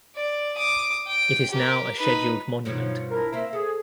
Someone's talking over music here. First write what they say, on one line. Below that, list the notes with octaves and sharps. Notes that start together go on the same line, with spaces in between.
It is now a Scheduled Monument.
D5
D6 D#6
G5
G4 A#4
D#4 B4
G2 B2 F3 D#4 C#5
D4 E4 A#4
A#3 C4 E5
G#4 A4